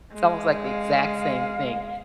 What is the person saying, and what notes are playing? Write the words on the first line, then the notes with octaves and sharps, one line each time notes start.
it's almost like the exact same thing,
G#3
F5